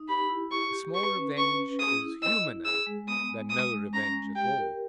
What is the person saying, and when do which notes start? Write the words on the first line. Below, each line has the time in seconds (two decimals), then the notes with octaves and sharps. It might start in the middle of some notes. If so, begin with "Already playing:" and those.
A small revenge is humaner than no revenge at all.
Already playing: D#4
0.08 G4 B5
0.29 E4
0.51 G4 C#6
0.73 G4
0.94 B4 C#6
1.15 C#4
1.36 B4 C#6
1.58 C#4
1.79 G#4 D#6
2.01 E4
2.22 D#5 E6
2.44 E4
2.65 G#4 E6
2.86 G#3
3.07 B3 D#6
3.29 G#3
3.50 G#3 D#6
3.71 G#3
3.93 C#4 A#5
4.14 G#3
4.35 G4 G5
4.58 A#4